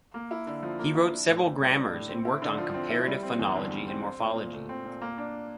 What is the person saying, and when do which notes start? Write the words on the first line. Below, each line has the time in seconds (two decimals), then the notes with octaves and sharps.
He wrote several grammars and worked on comparative phonology and morphology.
0.14 A#3
0.31 E4
0.47 D3
0.63 F3
0.79 A#3
0.95 E4
1.11 D4
1.28 A2
1.44 A2
1.60 G3
1.77 D4
1.93 A2
2.09 C4
2.25 E4
2.42 D3
2.58 F3
2.74 C4
2.90 E4
3.06 G3
3.23 C4
3.39 E2
3.56 D3
3.71 G3
3.88 C4
4.04 C4
4.20 A#2
4.36 A#2
4.53 A3
4.69 C4
4.86 A#2
5.02 A#3
5.18 D4